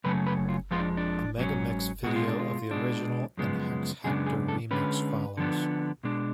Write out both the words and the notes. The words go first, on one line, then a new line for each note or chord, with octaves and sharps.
A megamix video of the original and Hex Hector remix follows.
F#2 C#3 F#3 A3 C#4 B4
B4
F4
F2 F3 G#3 B3 F4
D4
D4
G#2 F#3 C#4
B2 G#3 B3 F#4
F4
D4
F4
B2 G#3 D4
F#2 C#3 F3 G#3 B3
F#2 C#3 G#3 B3 D4 G#4
G#4
A4
D3 G#3 C#4 B4
D3 F3 B3 D4
B2 G#3 D4